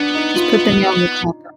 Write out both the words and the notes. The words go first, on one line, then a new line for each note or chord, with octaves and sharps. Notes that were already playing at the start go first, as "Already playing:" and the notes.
W just put the nail in collar.
Already playing: B3 D4
D#4
F4
F4
D#4